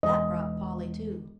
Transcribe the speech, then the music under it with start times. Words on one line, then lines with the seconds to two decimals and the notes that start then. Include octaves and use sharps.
That brought Polly to.
0.03 E1 D#5